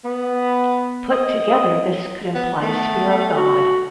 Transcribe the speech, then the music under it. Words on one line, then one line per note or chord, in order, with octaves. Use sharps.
Put together this could imply Spear of God.
B3
D#5
B3
A3 B3
F#4